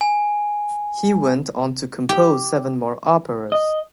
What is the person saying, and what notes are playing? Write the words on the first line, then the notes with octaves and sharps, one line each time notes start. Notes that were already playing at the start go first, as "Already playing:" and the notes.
He went on to compose seven more operas.
G#5
G4
D#5